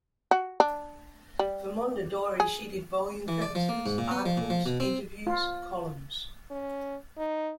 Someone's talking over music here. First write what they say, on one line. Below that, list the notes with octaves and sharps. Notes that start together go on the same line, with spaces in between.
For Mondadori she did volume prefaces, articles, interviews, columns.
F#4
D4
G3
G#4
E3
D5
F3
A#3
G#2
A#2
B3
F3
A#2
F3
B2
C4
F4
C#4
D#4